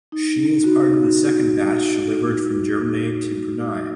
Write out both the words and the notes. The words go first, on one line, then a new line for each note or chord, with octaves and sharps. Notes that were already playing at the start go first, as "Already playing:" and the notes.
She is part of the second batch delivered from Germany to Brunei.
D#4
F#4